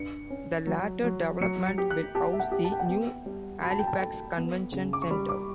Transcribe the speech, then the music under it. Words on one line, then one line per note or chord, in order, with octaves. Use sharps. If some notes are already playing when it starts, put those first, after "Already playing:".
The latter development will house the new Halifax Convention Centre.
Already playing: G2 C#7
C#4
F#3
F#3
F#3 C#7
C#7
G4
F#6
G4 A5
E5
F#5
G4
A5
G5
F#5
B3 G5
G3
F#4 B5
A5
G5
A5
A4
B3
C#3
D6
C#6
G3 B5
D6